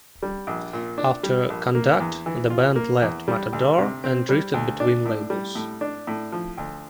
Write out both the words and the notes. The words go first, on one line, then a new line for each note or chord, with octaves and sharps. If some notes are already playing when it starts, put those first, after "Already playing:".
After "Conduct", the band left Matador and drifted between labels.
G3
A#1
A#2
D4
G3
A#1
A#3
E2
E3
F4
A#3
E2
G3
D2
C3
C4
G3
D2
D4
A2
G3
A2
D4
A2
F3
D2